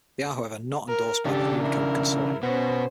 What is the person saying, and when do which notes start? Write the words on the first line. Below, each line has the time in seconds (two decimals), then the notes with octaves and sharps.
They are however not endorsed by the Unicode Consortium.
0.89 A#4
1.26 C#3 D4 G4 A4
1.62 E4 A#4
2.43 B2 B3 C#4 C5